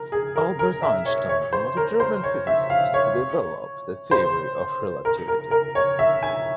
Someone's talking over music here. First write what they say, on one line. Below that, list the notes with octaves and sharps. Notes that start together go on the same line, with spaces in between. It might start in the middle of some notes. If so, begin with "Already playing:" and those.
Albert Einstein was a German physicist who developed the Theory of Relativity.
Already playing: A#4
G#4
A#4
A#4
E5
C#5
C#5
C5
A#4
C5
C#5
E5
F5
C#5
C5
A#4
A#4
A#4
C#5
E5
G#5